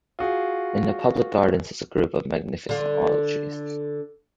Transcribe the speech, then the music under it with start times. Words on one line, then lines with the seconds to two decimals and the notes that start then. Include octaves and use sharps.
In the public gardens is a group of magnificent olive trees.
0.19 F4 F#4 G#4
2.69 D3 F4